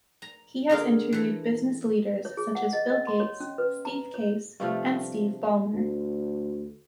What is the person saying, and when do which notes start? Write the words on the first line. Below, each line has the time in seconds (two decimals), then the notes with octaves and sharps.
He has interviewed business leaders such as Bill Gates, Steve Case, and Steve Ballmer.
0.22 A#5
0.69 D3 G#4 A#4 F5
1.12 E3 A4
2.25 C#5
2.37 G#4
2.55 F#5
2.73 D#5
2.90 D#5
3.07 C6
3.20 C#5
3.40 C#4
3.58 B4
3.85 A#5
4.14 C#5
4.60 G2 C3 F3 A3
5.74 D2